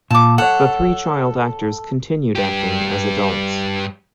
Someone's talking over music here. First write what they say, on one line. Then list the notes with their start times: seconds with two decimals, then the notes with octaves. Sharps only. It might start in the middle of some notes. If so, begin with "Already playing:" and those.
The three child actors continued acting as adults.
0.11 A#2 A5 D6
0.38 A4 C#5 F#5
2.35 G2 G4